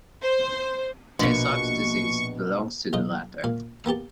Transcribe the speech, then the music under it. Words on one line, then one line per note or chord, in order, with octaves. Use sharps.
Tay-Sachs disease belongs to the latter.
C5
A#1 B2 A#3 D4 C#6
B1 C#3 F4 D#5
A#2 F5
A#3 B3 G4 A5